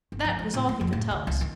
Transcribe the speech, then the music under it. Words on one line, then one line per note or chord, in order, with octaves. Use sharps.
That was all he could tell us.
G1
F3
F3
A2
A#3
F2
A2
D3
C2
D#3